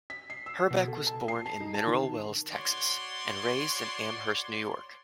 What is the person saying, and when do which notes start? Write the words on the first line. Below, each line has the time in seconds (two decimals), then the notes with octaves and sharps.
Herbeck was born in Mineral Wells, Texas, and raised in Amherst, New York.
0.10 B6
0.30 C7
0.46 E6
0.71 B2
0.88 A4
1.07 A5
1.28 C7
1.46 A5
1.60 D#4
1.75 A5
1.87 D#3
2.52 F#4 C#5 D5 C6